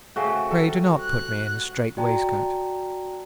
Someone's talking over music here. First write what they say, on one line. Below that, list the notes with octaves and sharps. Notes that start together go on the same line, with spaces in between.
Pray do not put me in a strait-waistcoat.
C#3 A3 C4 F#4
G3 A4
F#6
F#4 D5 G5 A5 A#5